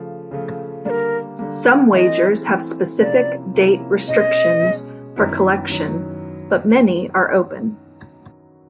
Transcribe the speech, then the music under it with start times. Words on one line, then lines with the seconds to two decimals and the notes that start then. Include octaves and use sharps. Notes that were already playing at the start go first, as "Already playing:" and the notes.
Some wagers have specific date restrictions for collection, but many are open.
Already playing: C#3 F3 A3
0.31 C#3 F3 A3
0.85 D3 G3 A#3 A#4 D5
1.39 D3 G3 A#3
1.93 E3 A3 C4 E4 D#5 F#5
2.46 E3 A3 C4 E4
3.00 C3 F3 A#3 C#4 E4 D5
3.55 C3 F3 A#3 C#4 E4
4.08 B2 G#3 C#4 D#5
4.62 B2 G#3 C#4
5.16 F#2 D#3 F#3 B3 E4
5.70 D#3 F#3